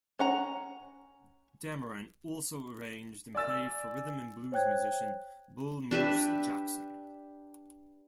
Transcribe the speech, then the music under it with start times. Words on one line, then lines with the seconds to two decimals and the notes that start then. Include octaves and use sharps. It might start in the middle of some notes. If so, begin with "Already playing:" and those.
Dameron also arranged and played for rhythm and blues musician Bull Moose Jackson.
0.19 C#4 F#5 A#5
3.35 D5 G#5 E6 A6
4.52 C5 C#5 G5 F#6 G#6
5.91 D4 G4 B4 E5